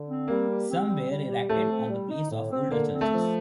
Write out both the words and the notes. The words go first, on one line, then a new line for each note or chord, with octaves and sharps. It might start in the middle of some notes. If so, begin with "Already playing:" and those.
Some were erected on the place of older churches.
Already playing: D3
C4
G3 A#3
G4
C4
G3
G3
G4
A2 A3
C4
G3
D#4
A2
C4
D3 A#3
C4
A3
F3